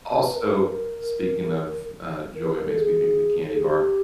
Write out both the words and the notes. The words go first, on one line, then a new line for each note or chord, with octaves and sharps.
also speaking of, uh, joy- it makes me think of the candy bar.
B4
A#4
B4
A#4
A#4
B4
A#4
A4
G#4
A4
G#4
G4